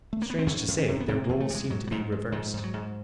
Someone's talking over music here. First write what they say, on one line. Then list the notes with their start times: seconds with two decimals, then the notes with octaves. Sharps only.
Strange to say, their roles seemed to be reversed.
0.13 A3
0.22 A#3
0.30 B3
0.39 C4
0.47 E2 C#4
0.68 E2
0.78 C#4
0.88 C3
1.00 B3
1.08 C3 C4
1.24 A#3
1.29 E2
1.40 A3
1.50 C3 G#3
1.70 G#2 F#3
1.87 F#3
1.91 G#2 F3
2.12 G#2
2.32 G#2 F3
2.53 G#2 G3
2.64 F#3
2.74 G#2